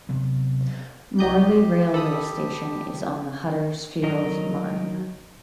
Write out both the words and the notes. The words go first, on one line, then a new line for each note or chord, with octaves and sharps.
Morley railway station is on the Huddersfield Line.
C3 F#3 B3
C2 G4 D#5 G6
A4 B5 D#6
D#3 F#3 D#4 A#4 D#5